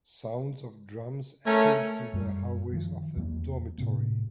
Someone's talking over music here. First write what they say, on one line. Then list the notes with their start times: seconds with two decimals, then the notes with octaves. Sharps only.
Sounds of drums echoed through the hallways of the dormitory.
1.47 A3 C#4 A#4 C#5
2.14 F#2 G3
2.73 D#3 F3
3.16 E2 F#3 A#3
3.78 A2 C3 A#3